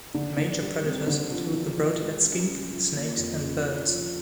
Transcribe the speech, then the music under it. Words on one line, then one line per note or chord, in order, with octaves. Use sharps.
Major predators include the broadhead skink, snakes and birds.
D3
D3
G3
C4
D3
F3
E3
E3
G#3
C#4
C#3
F3
A#3
F2
C#3
F4
F3